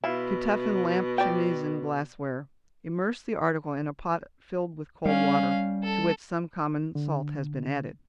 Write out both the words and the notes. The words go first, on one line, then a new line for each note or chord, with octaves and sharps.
To Toughen Lamp Chimneys and Glassware.--Immerse the article in a pot filled with cold water, to which some common salt has been added.
B2 E4 F4
D5 G5
G3 C#4 F5
A4
D3